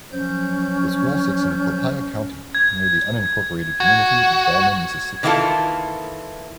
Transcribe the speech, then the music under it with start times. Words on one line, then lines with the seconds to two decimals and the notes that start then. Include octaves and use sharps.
The school sits in Copiah County, near the unincorporated community of Gallman, Mississippi.
0.12 F3 F#3 C#4 G6
2.55 G#6
3.80 F#4 G#6
5.23 D#3 E3 A#3 E4 F4 A4